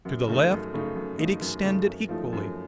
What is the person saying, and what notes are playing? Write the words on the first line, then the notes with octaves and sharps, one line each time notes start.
To the left, it extended equally.
F#2
C#3 A3 D#4
F#2
C#3 A3 D#4
F#2
C#3 A3 D#4
F#2
C#3 A3 D#4
F#2
F3 A3 D#4
F#2